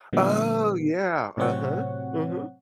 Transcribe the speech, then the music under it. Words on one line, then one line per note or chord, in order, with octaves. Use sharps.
Oh, yeah, uh-huh, mhm.
A#2 D3 F3 G3 B3
A2 C3 F#3 C4 C#5 F#5